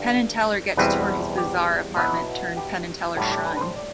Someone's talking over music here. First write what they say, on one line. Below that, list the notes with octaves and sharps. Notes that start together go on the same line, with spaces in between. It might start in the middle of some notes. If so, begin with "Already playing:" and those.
Penn and Teller get to tour his bizarre apartment turned Penn and Teller shrine.
Already playing: G2 D3 G3
E2 B2 G3 C4 E4 B4
G4
B2 F#3 B3 E4 B4
G4
A2 G3 D4 F#4
G4
B4
B4
C5
D5